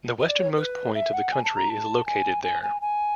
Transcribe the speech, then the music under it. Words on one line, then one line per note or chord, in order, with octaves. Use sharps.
The westernmost point of the country is located there.
D#5
D5
C#5
B4
E5
F#5
G#5
A5
A#5
A5
G#5
G#5
G#5
G#5